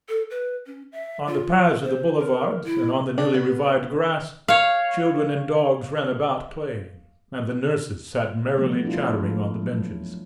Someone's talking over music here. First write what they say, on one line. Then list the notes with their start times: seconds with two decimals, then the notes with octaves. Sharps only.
On the paths of the boulevards and on the newly-revived grass, children and dogs ran about, playing, and the nurses sat merrily chattering on the benches.
0.09 A4
0.30 B4
0.67 C#4
0.92 E5
1.28 F4
1.83 C5
2.18 A#4
2.65 E4
3.18 D4
3.34 B3
4.48 C#5 F5
8.56 B2 E3 F3 G3 A3 B3
8.83 D4 E4 F4
9.17 F3 A3
9.62 F#3